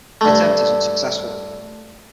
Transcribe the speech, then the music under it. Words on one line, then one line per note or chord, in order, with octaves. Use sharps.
The attempt is unsuccessful.
G2 A3